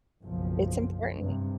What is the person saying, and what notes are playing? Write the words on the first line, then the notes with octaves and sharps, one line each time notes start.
It's important.
F#1 B1 F3
G2 C3